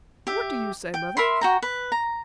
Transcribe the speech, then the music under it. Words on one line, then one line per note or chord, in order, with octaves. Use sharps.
"What do you say, mother?"
G4 E5
G5
A#4 E5 B5 C6
F#4 G5 A#5
B4
A#5